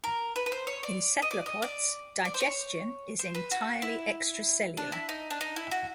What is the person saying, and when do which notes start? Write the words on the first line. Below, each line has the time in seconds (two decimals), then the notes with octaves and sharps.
In cephalopods, digestion is entirely extracellular.
0.04 A#4
0.36 B4
0.46 B4
0.52 C5
0.67 C#5
0.83 D5
1.22 D#5
1.31 D5
1.46 D#5
1.62 D5
2.25 D5
2.34 C5
2.40 C#5
3.19 C5
3.35 B4
3.51 F#4
3.82 E4
4.77 D4
4.92 E4
5.09 D#4
5.30 D4
5.41 D#4
5.56 E4
5.71 F#4